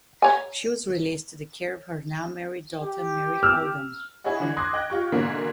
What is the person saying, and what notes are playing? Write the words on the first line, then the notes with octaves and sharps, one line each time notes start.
She was released to the care of her now married daughter Mary Aldham.
C#5 G#5
G4
E6 F6
E4 G#4 C#5 D#5 F#5
D3 E3
C6 D6 D#6 F#6 G#6 A#6
D#5 G5 F#6 A#6
F4 G4 C#6
G#2 B2 D3 E3 A3 A#3